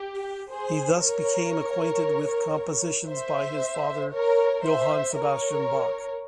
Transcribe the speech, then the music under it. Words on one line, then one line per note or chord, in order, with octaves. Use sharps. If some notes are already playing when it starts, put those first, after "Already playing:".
He thus became acquainted with compositions by his father Johann Sebastian Bach.
Already playing: G4
G#4 C5
A#4 C#5
C5 E5
A#4 C#5
C5 E5
A#4 C#5